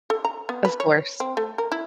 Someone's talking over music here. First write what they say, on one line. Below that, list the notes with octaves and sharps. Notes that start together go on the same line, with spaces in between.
Of course.
A4
A#5
B3
B4
C#5
C4
A3
A#4
E4